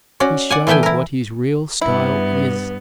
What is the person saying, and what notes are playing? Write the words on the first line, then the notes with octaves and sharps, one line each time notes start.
He shows what his real style is.
C#4 F#4 D5
D5 F#5 G#5
E3 A3 B3 E5 G5 G#5
E4 A#4
G2 B3 E4